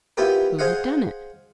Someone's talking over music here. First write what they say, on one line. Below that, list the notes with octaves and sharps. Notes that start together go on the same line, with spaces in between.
Who had done it?
B3 E4 F4 G4 A#4
G#4 C5 D#5 F5 F#5